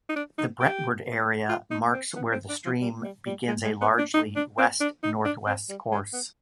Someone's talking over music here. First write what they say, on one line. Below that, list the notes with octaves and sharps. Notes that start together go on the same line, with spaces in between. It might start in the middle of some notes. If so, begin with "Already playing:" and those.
The Brentwood area marks where the stream begins a largely west-northwest course.
D#4
D4
D#4
G4
F4
D#4
C4
B3
C4
D4
F3
G3
G3
G3
G#3
G#3
B3
D4
D#4
D4
C4
D4
D#4
D4
C4
G3
G#3
B3